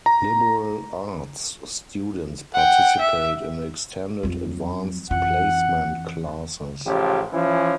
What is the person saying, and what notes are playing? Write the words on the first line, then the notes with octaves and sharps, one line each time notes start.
Liberal Arts students participate in extended Advanced Placement classes.
A#5
F#5 G5
E5
F2 F#3
F2 E3 F#5
A1 C#3 F3 G4
E3 F3 C#4